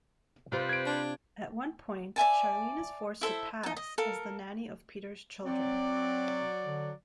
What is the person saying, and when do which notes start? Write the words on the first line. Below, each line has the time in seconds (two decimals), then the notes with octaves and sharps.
At one point, Charlene is forced to "pass" as the nanny of Peter's children.
0.52 C3 G3 F4 B4 C5
0.69 G#6 D7
0.86 D4
2.16 D5 E5 G#5 A5
3.21 E4 A4 C5 E5
3.63 D#4 A5
3.76 D#5
3.98 A4 A#4 F5
5.45 F#3 C4 D5
6.65 D3